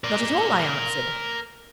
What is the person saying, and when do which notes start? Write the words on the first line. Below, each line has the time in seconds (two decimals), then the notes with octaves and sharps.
'Not at all,' I answered.
0.04 A#4 D5